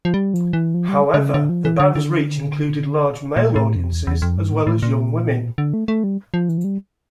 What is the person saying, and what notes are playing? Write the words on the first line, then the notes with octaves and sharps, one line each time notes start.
However, the band's reach included large male audiences as well as young women.
F3
G3
F3
E3
F3
G3
D3
C#3
D3
F3
E3
D3
D3
A#2
A2
F2
E2
E2
F2
G2
A2
A2
A#2
D3
A3
A3
G3
F3
E3
F3
G3